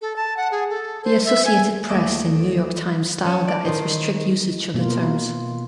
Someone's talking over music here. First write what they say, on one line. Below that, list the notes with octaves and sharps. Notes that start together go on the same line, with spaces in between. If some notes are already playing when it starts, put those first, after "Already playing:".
The Associated Press and New York Times style guides restrict usage of the terms.
A4
A5
F#5
G#4
A4
C5
E5
G#5
D#2 A3 D5 D#5 D7 E7
C#4 A5
D5
D#3 D#4 C5
B2 A#3 F4